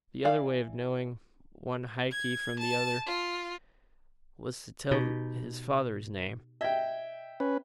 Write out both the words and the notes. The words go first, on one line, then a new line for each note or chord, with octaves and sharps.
The other way of knowing one Haki from the other was to tell his father's name.
E3 D5 F5
G#6
A5
F4
B2 D#4 G4
D#5 E5 G5 G#6
C#4 B4